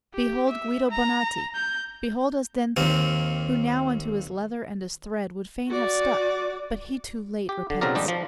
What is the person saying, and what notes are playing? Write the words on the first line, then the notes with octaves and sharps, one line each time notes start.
Behold Guido Bonatti, behold Asdente, Who now unto his leather and his thread Would fain have stuck, but he too late repents.
G4
E5
A#5
G6
D#2 A#3 C4
F#4 D5
G4
D3
B1 C#3 F#3 C4 A#4 D5
G#1 F2 G3 D4 G4 D#5
F3